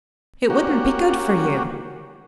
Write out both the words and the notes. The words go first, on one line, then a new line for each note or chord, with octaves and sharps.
It wouldn't be good for you.'
A#3 C#4 F#4 G4